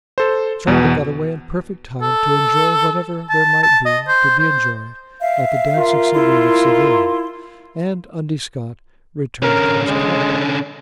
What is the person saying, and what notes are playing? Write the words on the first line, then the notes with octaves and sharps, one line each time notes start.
Charley got away in perfect time to enjoy whatever there might be to be enjoyed at the dancing saloon of Seville, and Undy Scott returned to his club.
A4 C5
E2 B2
A4
A5
A5
D#5
C5
C5
E5 F5
F4 A#4
E4 C6
D3 C#4 A#4
G#3